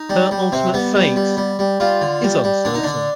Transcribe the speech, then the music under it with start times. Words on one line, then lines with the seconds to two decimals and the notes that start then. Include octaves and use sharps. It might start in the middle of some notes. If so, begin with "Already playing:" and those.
Her ultimate fate is uncertain.
Already playing: D#4
0.10 G3
0.31 G3
0.52 C3 C4
0.74 G3 B3
0.95 G3
1.16 G3
1.37 G3
1.59 G3
1.80 G3 F4
2.01 D3
2.23 G3
2.44 G3
2.65 D3 D4
2.74 D#4
2.83 D3 D4